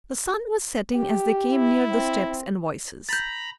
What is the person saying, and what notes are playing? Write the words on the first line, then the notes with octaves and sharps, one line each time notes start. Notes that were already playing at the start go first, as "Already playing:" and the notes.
The sun was setting as they came near the steps and voices.
G4
E4
C4
A#5 B5 G6 A6